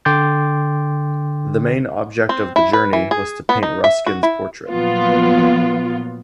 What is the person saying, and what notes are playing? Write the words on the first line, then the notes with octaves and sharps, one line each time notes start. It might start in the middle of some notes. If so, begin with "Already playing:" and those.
The main object of the journey was to paint Ruskin's portrait.
D3 G5 C6 D6 G6 A6
C4
E4
B4
E3
G#4
B3
D#4
E5
F#4
E4
A#2 F3 F#3 B3 F4